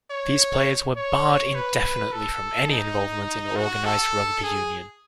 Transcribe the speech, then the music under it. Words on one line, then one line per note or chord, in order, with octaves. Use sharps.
These players were barred indefinitely from any involvement in organised rugby union.
C#5
C#5
B4
B4
A4
D#4
F#4
A4
G#4